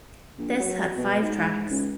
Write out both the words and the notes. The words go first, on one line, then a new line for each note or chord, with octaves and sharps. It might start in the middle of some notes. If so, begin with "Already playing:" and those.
This had five tracks.
A#1
F#3
B2
G#2
C#2